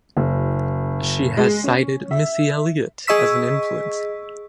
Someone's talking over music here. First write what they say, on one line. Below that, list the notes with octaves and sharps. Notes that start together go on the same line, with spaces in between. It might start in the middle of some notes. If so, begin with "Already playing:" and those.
She has cited Missy Elliott as an influence.
F#1
G#3
C#4
E5
G#4 D#5 C#6 E6 B6